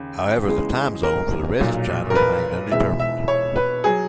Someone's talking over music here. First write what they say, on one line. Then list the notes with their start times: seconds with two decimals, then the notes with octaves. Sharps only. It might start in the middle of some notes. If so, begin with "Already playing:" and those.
However, the timezone for rest of China remain undetermined.
Already playing: D#2 C#3
0.47 E2 C#3 G#3
1.03 A#4
1.60 B1 A#2 F#3
2.10 A#4
2.15 B4
2.72 E1 E2 B2 G#3 E5
3.00 E5
3.28 C#5
3.56 B4
3.84 F#3 G#4